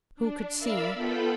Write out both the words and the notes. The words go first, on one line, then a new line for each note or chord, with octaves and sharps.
Who could see?
D4
A#4 D5 E5 F5 B5 E6
B3 F4 A4 G5 B5